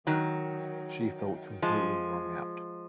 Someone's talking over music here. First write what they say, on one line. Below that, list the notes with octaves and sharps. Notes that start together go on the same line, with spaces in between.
She felt completely wrung out.
D#3 F#3
F3 G#3